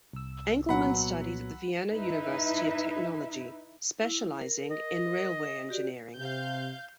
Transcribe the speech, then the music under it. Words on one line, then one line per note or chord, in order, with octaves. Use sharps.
Engelmann studied at the Vienna University of Technology, specializing in railway engineering.
C2 E6
A#2 F#3 B3 F#5 B5
D#4 E4 B4 E5
E4
A#4
D#5
F#4 G4 D5
C3 F5 G6